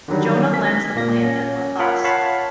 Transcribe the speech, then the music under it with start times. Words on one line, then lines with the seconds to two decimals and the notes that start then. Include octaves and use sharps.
Jonah lands the plane at Lajes.
0.08 D3 D#3 F#3 G3
0.54 B6
0.95 A#2 A#3 A#6
1.25 C#4
1.79 F4 A#4 C#5 F#5 B5
2.04 C#5 F5 F#5 A5 B5